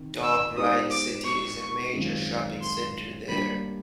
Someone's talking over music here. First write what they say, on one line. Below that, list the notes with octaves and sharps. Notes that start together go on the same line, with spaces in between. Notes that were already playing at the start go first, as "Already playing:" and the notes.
Top Ryde City is a major shopping centre there.
Already playing: C3 D#3
E6
G#3 B3 D#4 G4 C5 D#6
D6
C#6
F#2 D#3 G#3 C4 F4
C6
G3 A#3 D4 G4 B5